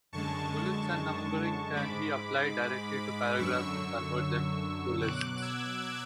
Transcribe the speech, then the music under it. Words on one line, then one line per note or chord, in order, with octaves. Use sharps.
Bullets and numbering can be applied directly to paragraphs and convert them to lists.
F#2 D3 G#3 A5 C#6
G#2 G#3 B5 D6
F#2 D3 F#3 C#6 E6
B2 F#3 D6 F#6
E6 G#6